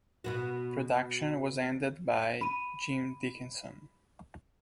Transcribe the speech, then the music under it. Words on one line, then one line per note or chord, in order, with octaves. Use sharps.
Production was handled by Jim Dickinson.
B2 B3 F#4
B5 D#7